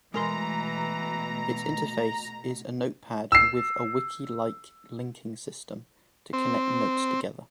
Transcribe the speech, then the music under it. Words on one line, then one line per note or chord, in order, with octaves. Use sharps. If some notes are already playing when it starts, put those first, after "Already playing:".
Its interface is a notepad with a wiki-like linking system to connect notes together.
B2 E3 G#3 A3 A#4 A#5 C6
E6 C7
C4